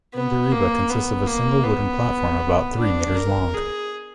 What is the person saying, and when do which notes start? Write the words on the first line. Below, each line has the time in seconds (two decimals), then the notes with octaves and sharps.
Mindaribba consists of a single wooden platform about three metres long.
0.14 B3
0.52 A#3
0.89 B3
1.27 A#3
1.64 B3
2.78 D4
3.15 A#4
3.53 G#4